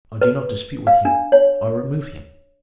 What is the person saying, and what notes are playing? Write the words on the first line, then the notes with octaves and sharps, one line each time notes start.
"I do not dispute with him; I remove him."
B4
F5
D4
C#5